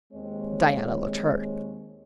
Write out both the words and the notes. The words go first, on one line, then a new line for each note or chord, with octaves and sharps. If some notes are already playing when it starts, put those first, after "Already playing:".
Diana looked hurt.
D#2 G#3 C4 C#5